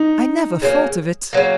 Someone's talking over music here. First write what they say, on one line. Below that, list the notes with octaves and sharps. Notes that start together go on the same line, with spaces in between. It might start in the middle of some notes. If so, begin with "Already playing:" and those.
"I never thought of it."
Already playing: D#4
C#3 F#3 A#3
C#3 F#3 A#3